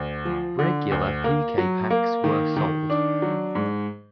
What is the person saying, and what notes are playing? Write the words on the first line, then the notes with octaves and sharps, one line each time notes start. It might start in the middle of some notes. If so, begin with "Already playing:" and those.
Regular piquet-packs were sold.
Already playing: D2
F3
D3
D2
A#3
F#3
A#3
D#3
D#3
D4
F#3
G#2